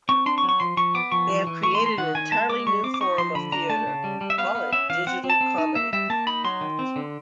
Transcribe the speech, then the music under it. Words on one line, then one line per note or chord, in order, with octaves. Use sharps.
They have created an entirely new form of theater; call it digital comedy.
C4 C#6
D4 C6
C#6
F#3
C#6
F3 C6
F3 C#6
B3 D6
F3 C#6
E3
E3
A3 C#6
C6
A3
C6
D#3 F#5
D#3 G#5
G#3 A5
G#3 D6
G3 C#6
C4 D6
D6
D#4 C#6
F3 C6
D3 B5
D4 A#5
A3 A5
C#3
G3
G3
E5
B3 F5
B3
C#4 E5
E3 F5
C4 F#5
C4
A5
C4
D#4
A#3 E5
G3 E5
A#3 A5
D#4 B5
F#3 C6
D#3
C4
D3